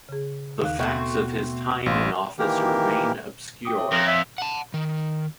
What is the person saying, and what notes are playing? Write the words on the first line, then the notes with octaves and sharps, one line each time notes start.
The facts of his time in office remain obscure.
C#3 G#4
D#2 D#3 F5 F#6
B2 A3 C4 F#4
A1 F5 C6
D#3 E3 A#3 G4 A#4
G5 D6 D#6
C#5 E5
F2 A#4 C6
E5
F#5 A5
D#3